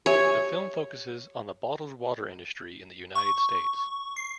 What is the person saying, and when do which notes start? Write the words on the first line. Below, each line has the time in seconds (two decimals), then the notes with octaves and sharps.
The film focuses on the bottled water industry in the United States.
0.06 G4 C#5 E5 G#5
3.15 C#6
4.16 C7